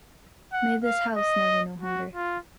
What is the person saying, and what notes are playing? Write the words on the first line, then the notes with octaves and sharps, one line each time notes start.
May this house never know hunger.
F#5
F5
D#5
F#4
F4